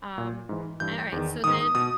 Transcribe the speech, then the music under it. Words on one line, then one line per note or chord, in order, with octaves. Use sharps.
Um, an all right, so then
A#2
G#2 E3
G2 E3 G6
E2 D#3
G#2 D#3 D#6
B2 D#6